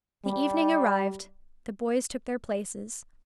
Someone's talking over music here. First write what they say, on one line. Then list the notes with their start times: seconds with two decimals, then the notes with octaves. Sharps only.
The evening arrived; the boys took their places.
0.25 G3